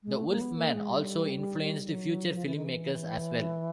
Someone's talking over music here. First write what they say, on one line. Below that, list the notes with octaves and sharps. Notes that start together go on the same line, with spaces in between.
"The Wolf Man" also influenced future filmmakers as well.
G#3
A3
A#3
B3
A#3
G#3
G3
F#3
F3
E3
D#3
E3